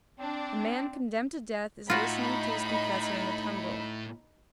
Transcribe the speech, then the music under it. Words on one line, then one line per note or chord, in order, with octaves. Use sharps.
A man condemned to death is listening to his confessor in the tumbrel.
C4 D4
A2 D#4 F4 F#4 B5